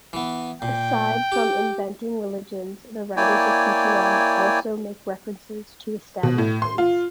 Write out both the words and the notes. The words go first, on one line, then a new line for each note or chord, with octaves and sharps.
Aside from inventing religions, the writers of "Futurama" also make references to established faiths.
E3 B3
A#2 G5
G4
A#3 E4 C#5 D5 G5 G#5
B2
A2
C6
F4